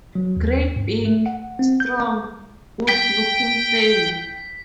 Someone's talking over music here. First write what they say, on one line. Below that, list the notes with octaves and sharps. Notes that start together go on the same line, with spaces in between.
Great big, strong, good-looking fellow.
F#3
D#2
G#2
A3
F#5
C4
G6
G5 B6